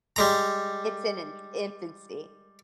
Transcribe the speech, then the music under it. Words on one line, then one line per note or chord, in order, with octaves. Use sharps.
it's in an infancy.
G3 G#3 A#5